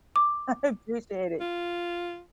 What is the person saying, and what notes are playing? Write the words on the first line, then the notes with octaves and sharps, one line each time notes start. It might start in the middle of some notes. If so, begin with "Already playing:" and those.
I appreciate it.
D6
F4